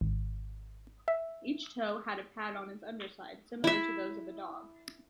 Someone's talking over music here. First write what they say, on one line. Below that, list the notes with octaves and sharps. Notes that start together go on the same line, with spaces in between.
Each toe had a pad on its underside, similar to those of a dog.
G#1
E5
E4 E5